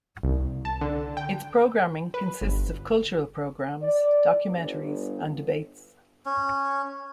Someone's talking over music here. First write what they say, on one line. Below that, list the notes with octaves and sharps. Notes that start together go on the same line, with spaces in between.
Its programming consists of cultural programmes, documentaries and debates.
C2
A5
D3
G5
B4
G1
D5
G1
C#4